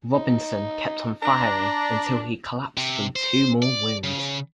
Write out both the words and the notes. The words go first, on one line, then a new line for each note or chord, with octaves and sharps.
Robinson kept on firing until he collapsed from two more wounds.
D#4
D4 A#5
C3
C5
D5
C#3